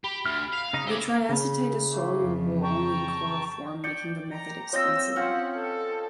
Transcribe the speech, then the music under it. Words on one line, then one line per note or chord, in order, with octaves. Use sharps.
The triacetate is soluble only in chloroform making the method expensive.
G4 B5
D2 F6
F5
C#3 D#4 D#5
C4 E4 G#4 E5 D6
C#3
A2 A3 A#3
F2
G5 A5 A#5 C#6
D5 G5 C#7
A#5
C4 F4 C#5 D#5 G5 E6 A#6
C4 C#4 F4 F#5
A4